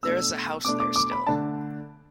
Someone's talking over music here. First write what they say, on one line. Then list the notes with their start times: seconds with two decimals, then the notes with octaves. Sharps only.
There is a house there still.
0.03 B2 A3 D4 E6
0.64 B2 A3 D4 D6
0.80 D6
0.96 D6
1.11 B5
1.27 D3 A3 D4 A5